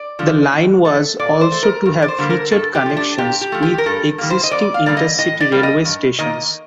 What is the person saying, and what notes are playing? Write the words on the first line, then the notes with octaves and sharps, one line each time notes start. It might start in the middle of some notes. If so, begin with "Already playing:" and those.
The line was also to have featured connections with existing intercity railway stations.
Already playing: D5
D3 F3
A2
A3
A#2 D5
C5
A3
A#4
G2
D5
C5
D3 G3 A#3
A#4
G2 A4
G4
F3 A3
D4
A#2 G4
G4
F3 A3
G4
A#4
G2 A4
D#3 G3 A#3
C5
D#5
F2 D5
F5
D3 G3 A#3 D5
D#5
A2 D#5
D5
G3 A#3
D#5
G2
D#3 A#3 D#5